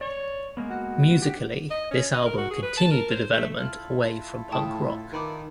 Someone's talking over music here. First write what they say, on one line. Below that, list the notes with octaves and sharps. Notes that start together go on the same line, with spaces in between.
Musically this album continued the development away from punk rock.
C#5 D5
G#3 A#3 B3
F#4
G4
D#5
C#4
D#5
A#4
F#4
G#4
B4
A5
A#4
C5
A3
E4 F4 A4 F6 F#7
A2 G5 A5 D#6
D#3 B4 B5 D6